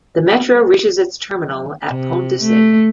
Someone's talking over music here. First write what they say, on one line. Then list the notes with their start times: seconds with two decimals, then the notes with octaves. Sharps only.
The metro reaches its terminal at Pont de Sèvres.
1.89 C3
2.42 A3